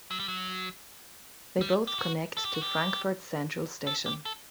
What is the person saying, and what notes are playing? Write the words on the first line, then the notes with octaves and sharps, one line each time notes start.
They both connect to Frankfurt Central Station.
F#3
G3
F#3
G3
G4
F#4
A4
G4
F#4
G4
A4
G4
A4